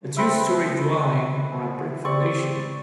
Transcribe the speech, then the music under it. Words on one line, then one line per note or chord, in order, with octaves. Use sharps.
A two story dwelling, on a brick foundation.
C4 B4 E5
C4 G4 D5 C#6